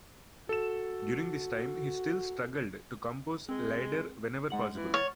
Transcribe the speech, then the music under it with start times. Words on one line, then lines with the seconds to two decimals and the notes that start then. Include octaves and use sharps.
During this time, he still struggled to compose lieder whenever possible.
0.49 F#4 A4 E7
3.49 G#3 C4
4.50 G#2 G#3 F#5 F#7
4.75 E3
4.94 C#5 F6 A6